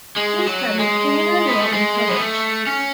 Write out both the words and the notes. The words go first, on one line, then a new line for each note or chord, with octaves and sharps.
He studied criminal law in college.
G#3
F#3
G#3
B3
A3
G#3
B3
A3
C#4